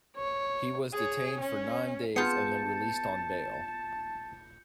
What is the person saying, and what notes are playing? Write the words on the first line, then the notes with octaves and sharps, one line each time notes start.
He was detained for nine days and then released on bail.
C#5
G#4 C#5
C#4
B3 F4 G#4 A5 G6 C#7